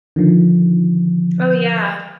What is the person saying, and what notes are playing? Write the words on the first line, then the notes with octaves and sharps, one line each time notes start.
Oh, yeah.
D3 D#3 F3